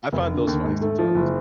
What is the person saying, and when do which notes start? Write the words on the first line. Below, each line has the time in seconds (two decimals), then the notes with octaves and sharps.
I I find those funny sometimes.
0.12 F1
0.30 D3
0.47 D#2
0.64 G#2
0.81 A3
0.99 F3
1.15 F#1